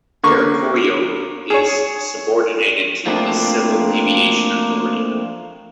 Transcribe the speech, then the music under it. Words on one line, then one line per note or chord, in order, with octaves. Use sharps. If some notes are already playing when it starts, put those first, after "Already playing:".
Air Koryo is subordinated to the Civil Aviation Authority.
D3 A#3 C#6
G#4 C#5
F3 A3 A#3 C4 D4